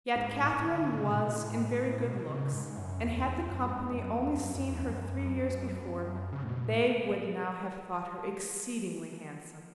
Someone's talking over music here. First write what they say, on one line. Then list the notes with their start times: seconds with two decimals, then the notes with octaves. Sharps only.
Yet Catherine was in very good looks, and had the company only seen her three years before, they would now have thought her exceedingly handsome.
0.16 G#2
0.40 A2
0.64 D3
0.82 D3
0.98 C#3
1.09 A2
1.17 B2
1.35 A2
2.05 B2
2.30 C#3
2.53 G#2
2.77 F#2
3.00 E2
3.24 E2
3.48 F#2
3.71 G#2
3.95 F#2
4.19 E2
4.37 F#2
4.55 F#2
4.71 E2
4.89 F#2
5.14 F#2
5.37 F#2
6.33 C#3
6.43 A2
6.49 B2
6.67 A2